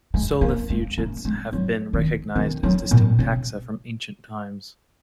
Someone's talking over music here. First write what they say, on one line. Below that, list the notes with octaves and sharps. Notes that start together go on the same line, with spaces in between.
Solifugids have been recognised as distinct taxa from ancient times.
G#3
A#3
G#3
A#3
G#3
F#3
D#3
D#3
F#3
A#2
C#3